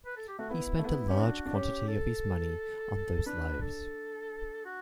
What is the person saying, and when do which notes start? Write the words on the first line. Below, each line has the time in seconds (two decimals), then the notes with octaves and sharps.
He spent a large quantity of his money on those lives.
0.06 B4
0.17 A4
0.28 G4
0.39 A3 F#4
0.49 B3 E4
0.79 A3
0.84 B3
1.08 C#4 G4
1.19 D4 F#4
1.46 D4
1.54 C#4 G4
1.88 A4
3.26 D4 B4
3.61 A4
4.65 F#4